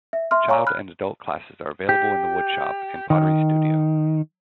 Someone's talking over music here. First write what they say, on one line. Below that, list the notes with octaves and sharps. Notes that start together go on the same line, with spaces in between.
Child and adult classes are available in the wood shop and pottery studio.
E5
E5 C6 F6
C#5 F5 G#5 A#5 C#6
B5 F6 F#6
G4
D#3